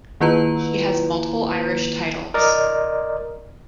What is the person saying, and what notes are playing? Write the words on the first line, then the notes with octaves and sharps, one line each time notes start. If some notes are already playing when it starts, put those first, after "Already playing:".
She has multiple irish titles.
D#3 A#3 E4 F4 B4 A#5
A#4 D5 D#5